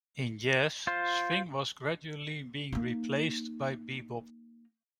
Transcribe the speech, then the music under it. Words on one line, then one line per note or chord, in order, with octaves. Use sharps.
In jazz, swing was gradually being replaced by bebop.
F4 C5
A#3 D#4